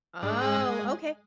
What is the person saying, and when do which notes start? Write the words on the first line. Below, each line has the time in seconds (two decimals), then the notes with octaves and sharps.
Oh, okay.
0.22 G#2 D4
0.41 G#3